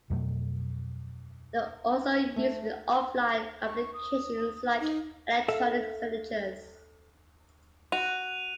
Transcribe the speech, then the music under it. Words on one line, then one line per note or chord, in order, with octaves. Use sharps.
They're also used in offline applications, like electronic signatures.
F2 B2 F#3 A3
A3
C#6
D#6
D#4
A4 E5 F5
F#4 F#6 D#7 F7